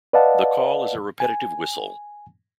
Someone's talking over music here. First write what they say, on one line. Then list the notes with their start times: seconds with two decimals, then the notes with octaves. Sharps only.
The call is a repetitive whistle.
0.13 B4 D5 D#5 F5 F#5 A5
1.20 G#5